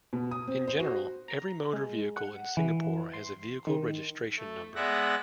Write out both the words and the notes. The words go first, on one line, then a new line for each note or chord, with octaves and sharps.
In general, every motor vehicle in Singapore has a vehicle registration number.
B2
D#6
C4
C5
F#4
A#5
G#3
F#5
E3
C6
D#3
A3
G#3 B3 D5 E5 F#5 A#6